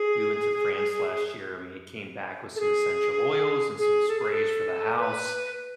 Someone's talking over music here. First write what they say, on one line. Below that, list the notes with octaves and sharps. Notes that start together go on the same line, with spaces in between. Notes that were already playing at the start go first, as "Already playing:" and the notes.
we went to France last year and we had came back with some essential oils and some sprays for the house,
Already playing: G#4
A4
G#4
G#4
A4
G#4
A4
B4